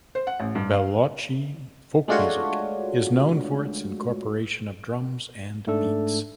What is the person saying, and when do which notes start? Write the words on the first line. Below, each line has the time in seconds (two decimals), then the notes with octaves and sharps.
Balochi folk music is known for its incorporation of drums and beats.
0.15 C5
0.27 F#5
0.40 A1
0.55 G2
0.73 F5
2.08 G#3 A3 D4 F4 F#4 C#5
5.67 G#2 A3 D4 A4